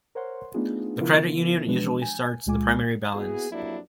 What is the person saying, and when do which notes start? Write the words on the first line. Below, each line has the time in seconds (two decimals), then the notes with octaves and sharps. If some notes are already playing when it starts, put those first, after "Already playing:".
The credit union usually starts the primary balance.
0.15 A#4 C5 C#5 F#5 C6
0.54 A3 B3 D4 D#4 F4 G#4
1.00 C#3 F3 B3 E4 F4 A#4
1.66 B2 E3 F3 G#3 D4 B4
2.02 G#5 G6
2.46 C#2 A#2 G#3 F4 G#5 D6
3.14 A#3 B3 E4 F#4 G#4
3.50 F2 F#3 G3 A#3 D4 E4